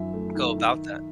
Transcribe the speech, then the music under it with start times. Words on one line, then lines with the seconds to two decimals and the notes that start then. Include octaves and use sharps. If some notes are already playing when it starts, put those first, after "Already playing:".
go about that.
Already playing: F#2 D#3 F3 E5
0.14 A3
0.35 D#3
0.58 D#3